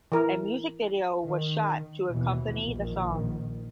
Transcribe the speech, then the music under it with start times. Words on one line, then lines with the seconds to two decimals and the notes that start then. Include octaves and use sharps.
A music video was shot to accompany the song.
0.12 E3 A#4
1.24 D#3
2.10 D#2 B2 E3
2.65 A#1 D#3